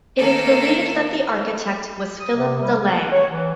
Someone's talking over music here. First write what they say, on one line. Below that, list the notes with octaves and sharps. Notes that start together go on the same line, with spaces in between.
It is believed that the architect was Philip de Lange.
D#3 A#3 A4
D#6
C3
G3
F#5
C#5
E3